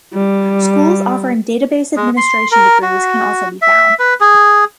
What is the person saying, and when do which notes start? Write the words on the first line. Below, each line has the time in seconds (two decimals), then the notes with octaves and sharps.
Schools offering Database Administration degrees can also be found.
0.14 G3
1.96 G#3
2.17 C6
2.52 A#4
2.82 F#4
3.62 E5
3.99 B4
4.20 G#4